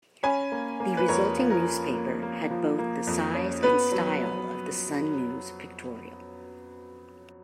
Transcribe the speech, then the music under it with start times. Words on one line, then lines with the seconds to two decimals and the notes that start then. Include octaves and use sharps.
The resulting newspaper had both the size and style of "The Sun News-Pictorial".
0.23 C#4 G#5 B5
0.52 A#3
0.80 A#3
0.97 B4
1.08 F2 A#4 C#5
1.37 F3
1.50 A#4
1.65 A#3
1.94 A#3
2.22 A#3
2.50 F3
2.78 A#3
3.07 F2
3.35 C#4
3.63 B3 B4
3.92 F#3